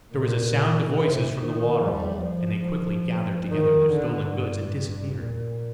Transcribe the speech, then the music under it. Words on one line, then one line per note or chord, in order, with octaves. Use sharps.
But there was a sound of voices from the waterhole, and they quickly gathered together their stolen goods and disappeared.
A#2
C3
D#3
G3
F3
D#3
D3
G2
A#2